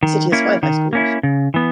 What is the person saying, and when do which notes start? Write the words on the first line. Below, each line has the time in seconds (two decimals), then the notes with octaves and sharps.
The city has five high schools.
0.03 D#3
0.32 A#3 C#4 E4
0.63 D#3
0.93 A#3 C#4 E4
1.23 C#3
1.54 E3 B3